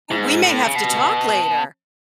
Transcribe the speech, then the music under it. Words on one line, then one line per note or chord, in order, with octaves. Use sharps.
Ooh, we may have to talk later.
G#2
A2
C#3
B2